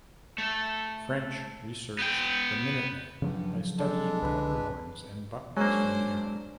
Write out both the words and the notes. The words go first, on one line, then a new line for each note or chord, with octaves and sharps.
French researched "The Minute Man" by studying powder horns and buttons from the era.
A3
B3 G5
G2 C#3 F3 F#3
G#3 D4 A4
C2 D3 B4
F#3 G#3 A#3 C#4 D4 C5